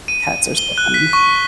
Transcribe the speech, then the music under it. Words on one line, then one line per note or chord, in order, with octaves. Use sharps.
Cats are so funny.
D#7
G7
F#6
B6
C#6